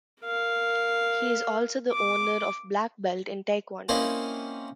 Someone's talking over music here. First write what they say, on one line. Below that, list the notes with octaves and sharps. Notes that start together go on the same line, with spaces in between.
He is also the owner of black belt in taekwondo.
A#4 F5
D6
A#3 C4 C#4 D#4 E4